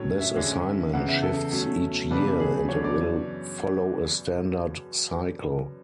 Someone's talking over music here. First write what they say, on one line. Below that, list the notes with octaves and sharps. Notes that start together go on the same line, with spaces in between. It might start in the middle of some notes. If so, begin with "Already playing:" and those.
This assignment shifts each year and will follow a standard cycle.
Already playing: A2 F#3 C#4 C#5
E5
D3 G#3 C#4
E2 C#3 E3 F#5
E5
A4
B2 F#3 A3 C#4
F#2 C#3 E3 B3 D4 B4
G#4
F#2 E3 B3 D4 C#5
D5